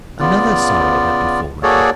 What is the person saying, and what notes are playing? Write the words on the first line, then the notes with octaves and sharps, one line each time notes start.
Another sorrow had befallen him.
C#3 B3 F4 D5
A#3 F#4 G#4 A4 C#5 D5